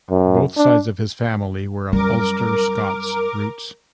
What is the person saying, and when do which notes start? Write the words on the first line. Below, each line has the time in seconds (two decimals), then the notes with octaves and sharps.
Both sides of his family were of Ulster Scots roots.
0.11 F#2
0.57 D4
1.92 F#2 G3 A#4 D6